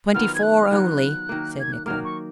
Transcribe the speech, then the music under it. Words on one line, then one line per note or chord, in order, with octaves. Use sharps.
"Twenty-four only," said Nicholl.
D#3 F#3 B3 F4 F6
G#6
F#6
F6
D#3 F#3 B3 F4 F#6
D#3 F#3 A#3
G#6
F#6
D#3 F#3 A#3 F6
C#6